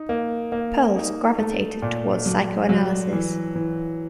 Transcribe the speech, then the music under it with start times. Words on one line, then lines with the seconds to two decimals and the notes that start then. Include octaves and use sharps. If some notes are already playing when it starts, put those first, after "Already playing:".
Perls gravitated toward psychoanalysis.
Already playing: D#4
0.09 A#3
0.52 A#3
0.96 D#4
1.39 A3
1.82 A#2
2.26 F#3
2.69 F#3
3.12 E3
3.55 E3